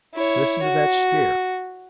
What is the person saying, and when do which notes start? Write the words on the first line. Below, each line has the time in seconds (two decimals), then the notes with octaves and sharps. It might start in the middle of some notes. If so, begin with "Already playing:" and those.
"Listen to that steer."
0.14 E4 C#5
0.63 F#4